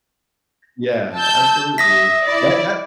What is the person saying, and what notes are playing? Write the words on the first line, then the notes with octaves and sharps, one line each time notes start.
Yeah. Absolutely. That that
A5 E6 G6
E5 D#6 A#6 B6
E4 D5